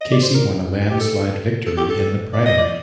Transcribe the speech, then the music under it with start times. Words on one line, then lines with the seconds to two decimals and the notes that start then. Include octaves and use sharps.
Casey won a landslide victory in the primary.
0.01 D#5
0.12 D5
0.22 C5
0.34 A#4
0.90 G4
1.00 A4
1.66 A4
1.77 G4
1.90 A4
2.33 D5
2.46 D#5
2.58 D5